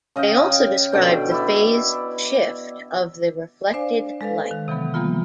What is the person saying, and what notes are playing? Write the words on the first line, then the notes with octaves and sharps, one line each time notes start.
They also describe the phase shift of the reflected light.
C#3 D#5 F5 G5
B2 D3 G5
E4 D5
D4 C5 D5 F5 G#5
G#3 A4 B4 F5
D#3
C3 E3 F#3 B3
E3 F3 G3 A#3 B3 F4